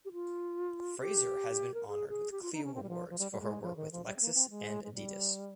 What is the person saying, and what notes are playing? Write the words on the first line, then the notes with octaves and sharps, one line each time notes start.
Fraser has been honored with Clio awards for her work with Lexus and Adidas.
G4
F4
G4
A#4
G#4
G#4
G4
F4
D#4
C#4
C4
G3
F3
F3
G3
G3
G#3
F3
D#3
F3
G3
C4
A#3
C4
G#3
G#3
G3